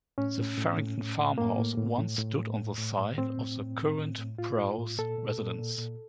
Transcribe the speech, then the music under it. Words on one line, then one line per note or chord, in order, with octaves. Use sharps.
The Farrington farmhouse once stood on the site of the current Prowse residence.
A2 C#4
A2
A2
A2
A2
A2
A2 A#3
A2
A2
A2
A2
A2
A2
A2
A2
A2 C4
A2
A2
A2
A2
A2
A2 F4
A2
A2
A#2 A4
A#2
A#2
A#2
A#2